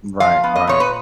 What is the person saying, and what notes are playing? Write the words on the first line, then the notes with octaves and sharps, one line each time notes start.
Right, right.
F3 F5
B3
D#5
A#2 C#5
B4